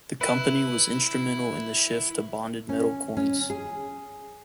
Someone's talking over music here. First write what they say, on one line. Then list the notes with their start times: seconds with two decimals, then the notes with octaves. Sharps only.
The company was instrumental in the shift to bonded metal coins.
0.21 E4 B4
2.69 C#4
3.17 C#4
3.50 G#4